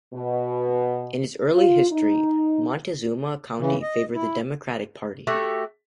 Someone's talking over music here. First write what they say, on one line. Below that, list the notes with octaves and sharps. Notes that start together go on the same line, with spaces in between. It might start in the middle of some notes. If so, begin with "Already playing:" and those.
In its early history Montezuma County favoured the Democratic Party.
B2
F4
D#4
C#3 E3
D#5
E4
A3 F#4 G4